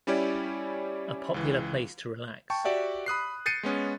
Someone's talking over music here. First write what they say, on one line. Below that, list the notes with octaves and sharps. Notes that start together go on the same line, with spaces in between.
A popular place to relax.
G3 C#4 E4 G4 C#5 D5
C#2 E3
G5 A5 C#6
F#4 G4 D5 E5 F#5
B5 D#6 F#6 C7
G6 A6 C7 C#7 D#7
G#3 B3 C#4